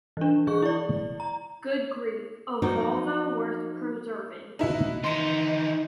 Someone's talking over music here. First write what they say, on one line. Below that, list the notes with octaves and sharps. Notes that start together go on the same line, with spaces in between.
Good grief, a Volvo worth preserving.
E3 D4
E3 G#4 C#6
E4 D5
A#5
F3 F#3 D#4 F#4 C5 D5
D#4 E4 F#4
D#3 E3 D#4 C6 C#7